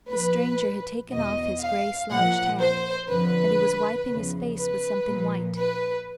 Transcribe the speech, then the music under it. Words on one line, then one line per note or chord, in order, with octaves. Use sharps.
The stranger had taken off his gray slouched hat and he was wiping his face with something white.
A#2 F3 B4
E2 B2 D#5
F5
A#2 F3 F#5
C5
F2 D3 F3 B4
E2 C#3 F3
B4
A#2 F3
B4